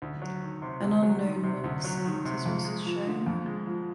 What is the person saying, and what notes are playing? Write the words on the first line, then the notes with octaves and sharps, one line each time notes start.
An unknown monk saint is also shown.
D2
F#3
D#3
C3
D2
F#3
D#3
C3
D2
F#3
D#3
C3
F2
G#3
F3
D3
F2
G#3
F3